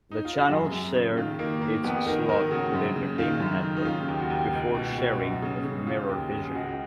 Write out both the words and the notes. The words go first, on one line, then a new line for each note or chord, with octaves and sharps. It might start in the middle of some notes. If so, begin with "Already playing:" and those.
The channel shared its slot with The Entertainment Network, before sharing with Mirrorvision.
D#4
F4
F#4
F#2 G#4
F#2
C#3
D#3 F4
D#3 A#3
D#3 A#3
F2 B3
D#3 A#4
D#3 A#4
C#3 F#4
F#2
C#3
D#3 F4
F#2
D#3
D#4
C#3 F4
D#2
F#4
D#2
C#2
B2
B2
F#2 F#4
C#3
C#3
C#3 F4
D#2
C#3
G#4
C#2 F#4